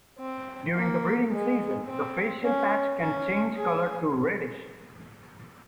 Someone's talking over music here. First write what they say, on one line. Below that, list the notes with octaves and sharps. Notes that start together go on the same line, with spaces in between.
During the breeding season the facial patch can change color to reddish.
C4
A#3
G#3
C4
C#4
C#4
G#4